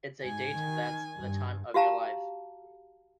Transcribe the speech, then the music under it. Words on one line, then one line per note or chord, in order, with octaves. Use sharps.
It's a date that's the time of your life.
G#2 G#5
D#3
G2
F#4 G4 F5 A5 A#5